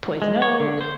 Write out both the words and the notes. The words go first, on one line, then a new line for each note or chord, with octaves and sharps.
poison oak,
G#3
C#5
D3
C5